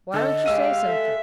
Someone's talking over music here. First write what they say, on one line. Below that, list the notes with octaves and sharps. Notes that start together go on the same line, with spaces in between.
"Why don't you say something?"
D3 A4 D#5
G#3 G4 F5 E6 D#7
A4 E5